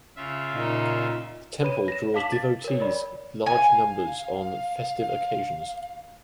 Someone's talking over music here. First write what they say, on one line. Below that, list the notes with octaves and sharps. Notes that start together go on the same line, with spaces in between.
The temple draws devotees in large numbers on festive occasions.
C#3 F4 E5
A#2 D#4
B4 C#5 B5 D#7
A#6 E7
F5 A5 D6 B6 E7 F#7
A6
A#4 C#5
A#4 C#5 D5 B5
F5 G#5